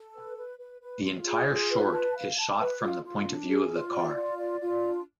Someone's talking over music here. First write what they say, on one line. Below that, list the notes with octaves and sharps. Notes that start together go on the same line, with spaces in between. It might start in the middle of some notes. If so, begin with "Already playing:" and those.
The entire short is shot from the point of view of the car.
Already playing: A4
B4
B4
B4
B4
F4
G#4
F4
B4
A5
F5
A5
B4
F4
F4
D4
G#4
F4
D5
F4
D5
F4
D4